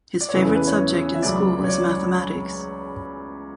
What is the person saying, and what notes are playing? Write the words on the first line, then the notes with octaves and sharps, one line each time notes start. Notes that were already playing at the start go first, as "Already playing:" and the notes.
His favourite subject in school is Mathematics.
D5
C#5
E2 C#3 E3 B4
A4
B4
C#5
E5
C#2 C#3 F#3 D5
C#5
D5